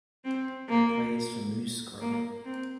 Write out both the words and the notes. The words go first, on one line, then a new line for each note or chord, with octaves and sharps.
He plays for Mouscron.
C4
A#3
A#3
C4